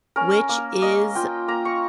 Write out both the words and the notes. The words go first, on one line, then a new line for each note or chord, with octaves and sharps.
which is
C#4 A#4
A#3
A#3 D#5
F4 G5
A#3 A#5
C#6